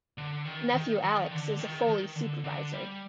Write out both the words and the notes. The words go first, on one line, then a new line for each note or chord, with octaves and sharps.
Nephew Alex is a foley supervisor.
D3
D#3
D#3
D#3
D3
D#3
D#3
D3
D3
G3